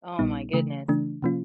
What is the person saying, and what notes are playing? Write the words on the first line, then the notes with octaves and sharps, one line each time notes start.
Oh my goodness.
A#1 A#2 G3 B3 D#4
C#3 E3 A3
C#3 E3 A3 D4
C3 F3 A#3 C#4 F4